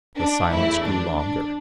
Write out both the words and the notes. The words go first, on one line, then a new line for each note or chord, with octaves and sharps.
The silence grew longer.
D4
E2 E3 A3 E4
D4
D4